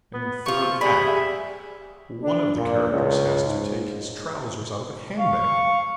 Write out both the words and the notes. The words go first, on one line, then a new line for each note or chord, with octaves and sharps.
In the third act one of the characters has to take his trousers out of a handbag.
B3
F3 F4 C#6
G3 G#4 B5
E5
D4
A#2
C#2
G#2
F5 C#6